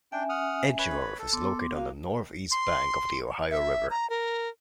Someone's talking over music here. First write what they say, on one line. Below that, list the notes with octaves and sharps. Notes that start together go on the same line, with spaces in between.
Edgeworth is located on the northeast bank of the Ohio River.
C#4 D4 E5 G5 G#5
F#5 D#6 F6
B4 C#5 B5
A4
B3 C6 D6
A#3 F#4 F5
C6
E5
A#5
A#4